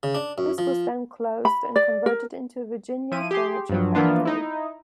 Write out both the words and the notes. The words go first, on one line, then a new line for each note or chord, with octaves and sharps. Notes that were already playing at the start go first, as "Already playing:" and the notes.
This was then closed and converted into a Virginia furniture factory.
C#3
D4
F#2
F3
B5
D5
A#4
F3 E4 D#7
G4 G#4 C6
G2 F3 F#3
E3 F3 A#3 B3 D4 F4
D#4 E4